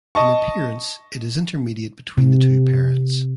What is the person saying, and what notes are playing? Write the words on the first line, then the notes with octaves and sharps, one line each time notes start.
In appearance it is intermediate between the two parents.
D#5 A5 C#6
C3